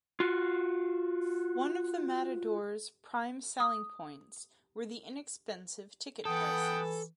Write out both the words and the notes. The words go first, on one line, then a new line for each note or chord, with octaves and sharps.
One of the Matadors' prime selling points were the inexpensive ticket prices.
F4 F#4
D#6
E3 B3 A4 F#5 G5 D#6